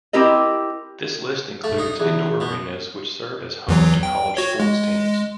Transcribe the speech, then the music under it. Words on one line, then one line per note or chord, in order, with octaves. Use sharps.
This list includes indoor arenas which serve as home to college sports teams.
C4 E4 G4 A#4 D#5
A3
D#4
E2
B2
E2 E3 F#3
G5
F#4 C#5
G#3